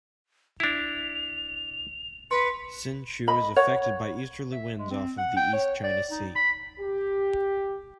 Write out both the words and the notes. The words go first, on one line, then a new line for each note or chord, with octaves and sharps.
Hsinchu is affected by easterly winds off of the East China Sea.
D4 E4 F7
B4 C6 C#7
D#5 B5
C#5 F#5
E5
G#3
C4
F#5
G5
C#5
D5
D#4
B5
G4